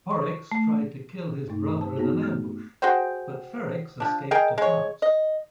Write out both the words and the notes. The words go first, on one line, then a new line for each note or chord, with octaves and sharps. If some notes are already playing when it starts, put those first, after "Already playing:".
Porrex tried to kill his brother in an ambush, but Ferrex escaped to France.
C#6
A3
G2 B2 A3 D#4
A5
A#3 B3 D#4 F#4 G#4
A3 F6
F#4 G#4 C5 G5
F3 D4
G#4 A#4 D#5 G5
G#3 C#5
D#5